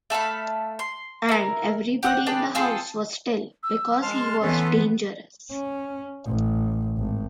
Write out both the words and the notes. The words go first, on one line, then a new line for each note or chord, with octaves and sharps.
And everybody in the house was still, because he was dangerous.
A3 A4 F5 B5
C6
E4 A#4
G4 F#5 D#6 F#6
D4 G4 G#4 B4
C4 F4 G#4 A4
E6
G#3 A5 C6 F6
E3 B3 C#4 A4
C#4
A1
G#1